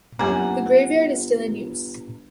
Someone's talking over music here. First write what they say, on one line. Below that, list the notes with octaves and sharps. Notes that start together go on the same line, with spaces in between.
The graveyard is still in use.
G1 F#2 G3 A#3 F#5 G#5 A#5